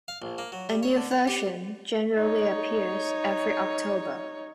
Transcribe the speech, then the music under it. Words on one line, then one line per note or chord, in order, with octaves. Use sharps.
A new version generally appears every October.
F5
A#1
A#3
F#3
G3
C#5
D3
F#5
G4
D#4 C#5